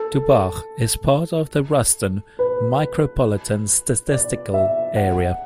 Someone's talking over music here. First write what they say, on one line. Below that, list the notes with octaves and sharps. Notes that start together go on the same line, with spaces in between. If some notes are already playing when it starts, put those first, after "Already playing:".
Dubach is part of the Ruston Micropolitan Statistical Area.
Already playing: A4
B4
D5
E5
F#5